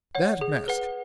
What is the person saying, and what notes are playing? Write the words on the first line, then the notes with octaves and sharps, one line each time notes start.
That mask!
C#5 F#5
G#4
B4 F#5